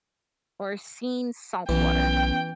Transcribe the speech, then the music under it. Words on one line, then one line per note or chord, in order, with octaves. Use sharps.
or seen saltwater.
B1 E3 B3 C#4 G5